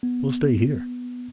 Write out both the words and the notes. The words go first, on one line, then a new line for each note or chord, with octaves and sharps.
We'll stay here.
B3